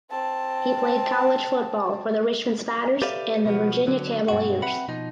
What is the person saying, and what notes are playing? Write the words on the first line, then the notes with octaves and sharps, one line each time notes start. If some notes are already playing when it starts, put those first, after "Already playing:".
He played college football for the Richmond Spiders and the Virginia Cavaliers.
C4 A5
G4 A4 B4 D5 E5 F5
B2 F3 B3
D3 F#3
G2 B2 F#4
C4 B4 E5 F#5 B5
B2 F3 D#4